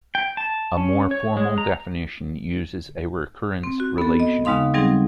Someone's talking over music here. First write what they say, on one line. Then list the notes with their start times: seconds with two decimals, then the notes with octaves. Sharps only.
A more formal definition uses a recurrence relation.
0.15 G5
0.37 A5
0.77 C#4
1.11 C#5
1.37 G#3
1.58 A#5
3.64 C4
3.80 F#4
3.98 B3 A4
4.20 D#5
4.45 D#2 C#3 G#3 D#4 F5 C6
4.74 F#3 G3 C4 D#4 G#4